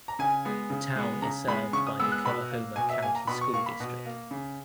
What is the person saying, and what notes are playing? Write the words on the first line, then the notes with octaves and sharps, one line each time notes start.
The town is served by the Coahoma County School District.
A#5
C#3 G#5
G#3 B3
C#3
G#3 B3
C#3 A#5
G#3 B3 B5
C#3 C#6
D#6
G#3 B3 E6
F#6
B2 B5
A#3
B2 G#5
E5
A#3 G#5
A#5
B2 B5
C#6
A#3 C#6
B5
B2
A#3
C#3